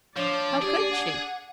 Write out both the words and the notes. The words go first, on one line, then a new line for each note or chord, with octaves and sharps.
How could she?
F3 D4 C#5 D5
G4 G#4
F#5